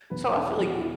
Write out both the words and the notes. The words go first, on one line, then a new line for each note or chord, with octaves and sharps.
so I feel like, you
E2 B2 F#3 B4
A4
G#4
E2 B2 F#3 G#4
F#4
E4